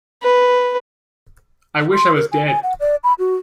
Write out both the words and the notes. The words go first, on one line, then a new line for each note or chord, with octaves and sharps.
I wish I was dead!
B4
C6
A#4
G#5
G#5
F#5
D5
B5
F#4